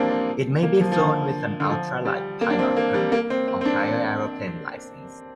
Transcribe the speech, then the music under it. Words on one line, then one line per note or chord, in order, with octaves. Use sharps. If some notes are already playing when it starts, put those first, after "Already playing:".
It may be flown with an Ultra-light Pilot Permit or higher aeroplane licence.
Already playing: F3 G3 A#3 C4 D4
C4
A#3
F3
F3
D3
D3
F3
G3
A#3
D4
C4
A#3
G3
A#3
C4
C4
C4
D4